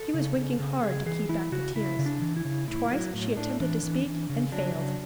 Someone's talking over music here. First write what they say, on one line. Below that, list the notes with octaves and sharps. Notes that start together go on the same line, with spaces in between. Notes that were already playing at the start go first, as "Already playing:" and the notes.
She was winking hard to keep back the tears. Twice she attempted to speak and failed.
Already playing: A4
C#3
C#3
C#3
C#3 G#4
E3 G#4
E3 E4
C#3 F#4
C#3 E4
C#3
D4
E3
E4
C#3
A2 E4
F#3 E4
A2
A2 D4
E3 D4
E3
E3
C#3
F#3 D4
C#3